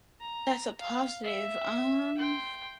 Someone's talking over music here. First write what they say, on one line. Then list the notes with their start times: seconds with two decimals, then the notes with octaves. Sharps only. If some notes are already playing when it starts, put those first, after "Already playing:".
That's a positive. Um
0.20 A#5
0.79 F5
1.24 E5
2.18 G5 C6